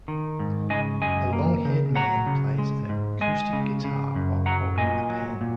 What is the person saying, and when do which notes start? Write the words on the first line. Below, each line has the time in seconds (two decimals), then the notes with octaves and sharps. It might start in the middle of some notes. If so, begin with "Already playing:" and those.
A longhaired man plays an acoustic guitar while holding a pen.
0.08 D#3
0.39 G#2
0.70 C#3 D#5 G#5
1.02 F#2 D#5 G#5
1.33 A#3
1.65 C#3
1.96 F#3 F#5 A#5
2.26 C#3
2.58 G#3
2.89 G#2
3.21 G#3 D#5 G#5
3.53 C#3
3.84 C#3
4.15 F#2
4.46 F#3 F#5 A#5
4.78 A#2 D#5 G#5
5.09 F#3
5.41 A#2